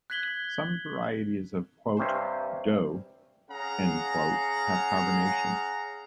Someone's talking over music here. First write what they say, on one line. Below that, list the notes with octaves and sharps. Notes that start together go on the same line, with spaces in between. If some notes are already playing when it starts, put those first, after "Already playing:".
Some varieties of "doogh" have carbonation.
F#6 G#6 B6 F#7 G7
G2 C3 C#4 C5
C#4 G#4 F5 F#5 A#5